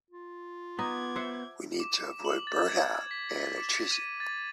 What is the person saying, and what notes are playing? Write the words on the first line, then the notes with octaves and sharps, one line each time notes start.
We need to avoid burnout and attrition.
F4
B3 D#4 D6 G#6
C5 E5 F#5
D6
F#7
A6
G#6
B6
B6
D6
D#7
A6